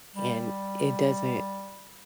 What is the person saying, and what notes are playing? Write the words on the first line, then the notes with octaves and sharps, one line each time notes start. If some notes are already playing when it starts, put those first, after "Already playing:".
And, it doesn't
G3